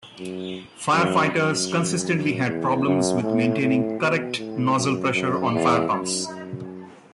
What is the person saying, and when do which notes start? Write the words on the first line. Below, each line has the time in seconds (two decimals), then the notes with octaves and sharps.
Firefighters consistently had problems with maintaining correct nozzle pressure on fire pumps.
0.18 F#2
0.94 F#2
1.32 F#2
2.46 E2
2.84 F#2
3.23 A2
3.61 A2
3.99 B2
4.37 A2
4.76 F#2
5.13 F#2
5.52 E2
5.90 F#2
6.27 F#2